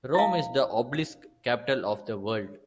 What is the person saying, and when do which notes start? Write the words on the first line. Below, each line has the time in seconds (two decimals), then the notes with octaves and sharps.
Rome is the obelisk capital of the world.
0.15 E4 F5